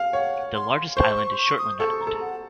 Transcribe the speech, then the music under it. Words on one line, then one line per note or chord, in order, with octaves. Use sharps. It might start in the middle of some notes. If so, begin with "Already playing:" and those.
The largest island is Shortland Island.
Already playing: F5
C#5 F#5
C6
C5 C#6
C#6
C6
C#6
D#6
A4 C#6
A#5
A4
F#5